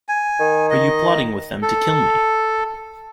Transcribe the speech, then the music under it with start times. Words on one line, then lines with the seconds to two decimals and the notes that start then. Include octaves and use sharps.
Are you plotting with them to kill me?
0.09 G#5
0.40 D#3
0.71 D#5
1.62 A4